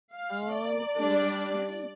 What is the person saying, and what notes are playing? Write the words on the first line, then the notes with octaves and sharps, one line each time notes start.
Oh, that's right.
F5
D5
G3 D4